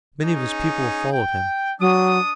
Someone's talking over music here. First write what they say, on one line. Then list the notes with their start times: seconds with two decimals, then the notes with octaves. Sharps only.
Many of his people have followed him.
0.24 C#4 D#4 G#4
1.12 G5
1.80 F#3 D4 D#6